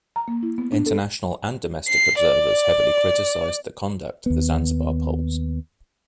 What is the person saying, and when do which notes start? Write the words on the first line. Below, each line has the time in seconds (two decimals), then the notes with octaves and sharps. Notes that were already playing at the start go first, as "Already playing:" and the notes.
International and domestic observers heavily criticized the conduct of the Zanzibar polls.
0.16 A#5
0.28 A#3
0.43 E4
0.58 B3
0.72 D4
0.86 A4
1.88 C7
2.20 D5
4.26 D#2 B3